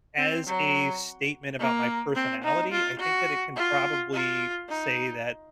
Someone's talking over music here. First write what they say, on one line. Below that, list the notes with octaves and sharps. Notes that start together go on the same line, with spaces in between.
as a statement about my personality, I think that it can probably say that
C4
F#3
A#3
C4
D#4
F4
F#4
F4
F4
D#4